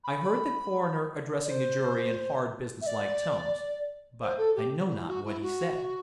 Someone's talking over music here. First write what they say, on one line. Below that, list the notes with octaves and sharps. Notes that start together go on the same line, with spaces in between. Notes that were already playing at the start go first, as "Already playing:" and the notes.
I heard the Coroner addressing the jury in hard, business-like tones, but I know not what he said.
B5
D5
C5
E5
D5
C5
A4
G4
E4
F#4
E4
F#4